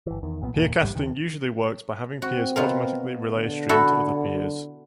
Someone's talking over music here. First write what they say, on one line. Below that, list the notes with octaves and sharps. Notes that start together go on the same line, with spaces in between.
Peercasting usually works by having peers automatically relay a stream to other peers.
G1 E3
E2 D#3
B1 A#2 D#3 B3
F#1 D#2 A#2 A#3
A1 D2 G#2 G3
D#2 C3 D#3
C4 F#4
B2 F4 A#4
D3
E4 F#4 A4